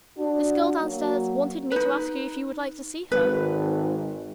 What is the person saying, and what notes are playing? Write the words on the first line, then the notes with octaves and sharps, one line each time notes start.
This girl down-stairs wanted me to ask you, if you would like to see her.'
D4 F#4
F#3 A#3 F#4
D#4 B4
G#1 B4